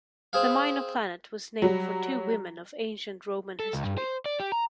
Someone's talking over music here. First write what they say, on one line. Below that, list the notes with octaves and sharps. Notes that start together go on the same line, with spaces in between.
The minor planet was named for two women of ancient Roman history.
C4 G#4 F5
F#3 G3
A4
C#2
G2
C5
D5
G4
A#5